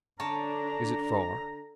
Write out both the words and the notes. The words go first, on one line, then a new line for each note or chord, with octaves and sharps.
"Is it far?"
D3 D4 C#5 A5 A#5